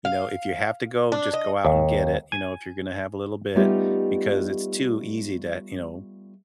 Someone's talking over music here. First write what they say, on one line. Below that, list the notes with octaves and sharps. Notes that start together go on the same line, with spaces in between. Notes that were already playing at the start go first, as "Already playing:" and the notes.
You know, if you have to go, just go out and get it, you know, if you're gonna have a little bit because it's too easy to, you know,
F5
D4
D#5
D#2
G#5
G3 A3 B3 D#4 F4 G4